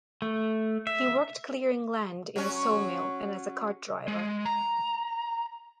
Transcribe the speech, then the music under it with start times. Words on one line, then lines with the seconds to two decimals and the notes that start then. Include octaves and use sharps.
He worked clearing land, in a sawmill, and as a cart driver.
0.22 A3
0.87 E5
2.36 F#3 C#4
4.08 G#3
4.45 A#5